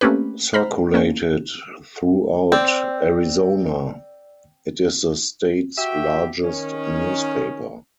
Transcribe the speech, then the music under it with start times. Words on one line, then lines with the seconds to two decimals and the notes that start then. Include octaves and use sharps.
Circulated throughout Arizona, it is the state's largest newspaper.
0.01 A3 A#3 C4 C#4 G4 B4
0.54 C5 A#5 B5 F6
0.94 A#3 C#4
2.52 C4 D5 E6
5.78 F#4 G4 E5 G5
6.44 D#3 C#4